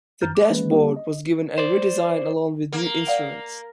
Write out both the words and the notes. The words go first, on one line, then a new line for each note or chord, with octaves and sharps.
The dashboard was given a redesign along with new instruments.
F#2 A#5 F6 G6 A6
D6
E3 G#3 A#3 C#4 B4
G3 A#3 D4 G4
D#5
C5 D5
A#3
D5 F5 F#5